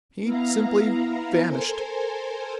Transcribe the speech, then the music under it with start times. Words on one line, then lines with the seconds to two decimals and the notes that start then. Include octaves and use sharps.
He simply--vanished.
0.22 B3 E4 F5 A#5
1.46 A4 A#4 C5 G#5